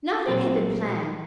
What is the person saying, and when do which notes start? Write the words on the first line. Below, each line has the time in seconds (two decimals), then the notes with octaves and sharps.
Nothing had been planned.
0.27 A#2 F#3 C4 G4